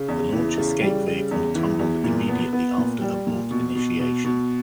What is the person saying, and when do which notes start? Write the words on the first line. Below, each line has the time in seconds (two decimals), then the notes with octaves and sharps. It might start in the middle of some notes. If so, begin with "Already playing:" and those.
The launch escape vehicle tumbled immediately after abort initiation.
Already playing: C#3
0.08 E2
0.33 E3
0.57 C#3
0.82 G3
1.07 C#3
1.31 E2
1.55 E3
1.79 E2
2.04 A#2
2.28 B3
2.53 B3
2.78 A#2
3.02 G3
3.27 A#2
3.51 B2
3.75 B2
4.00 B2
4.24 B2